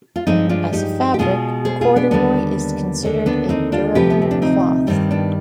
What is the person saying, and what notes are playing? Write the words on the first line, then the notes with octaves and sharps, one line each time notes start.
As a fabric, corduroy is considered a durable cloth.
F4
G2 F3 G#3 C4 D#4
D4 F4
D#4 G4
G4
B2 G#3 F4 G#4
G#4 C5
F4 G#4
B3 D4
D#2 D3 G3 B3 D4
D#2 D3 G#3
B3 D4
C4 D#4
D4 F4
D2 C3 F3 G4 B4
B3
C4
D4
C4 D#4
G2 D#3 G3 C4
B3 D4